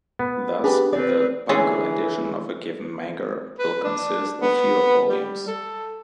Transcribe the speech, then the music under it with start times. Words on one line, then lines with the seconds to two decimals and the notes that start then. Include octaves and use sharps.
Thus, the "bunko" edition of a given manga will consist of fewer volumes.
0.19 B3
0.64 D4 G4 G#4 B4
0.93 C4 B4 D5
1.49 D3 E3 C#4 G#4
3.59 B4
3.84 D4
4.42 B3
5.09 G3
5.47 A4